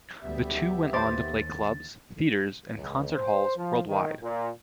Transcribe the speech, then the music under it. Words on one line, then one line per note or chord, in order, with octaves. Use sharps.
The two went on to play clubs, theatres and concert halls worldwide.
D2 G3 B3 G4 E5
D#2 C5 D6 A6
C#2
C5
F3
D#3
A#2